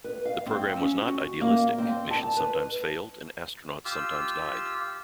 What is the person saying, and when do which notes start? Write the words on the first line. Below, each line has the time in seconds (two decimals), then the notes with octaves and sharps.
The program was not idealistic; missions sometimes failed and astronauts sometimes died.
0.04 B4
0.25 F5
0.46 C4
0.77 C#4
1.02 F#4
1.41 A#3
1.78 C4
2.11 A5
2.37 B4
3.85 F4 G4 E6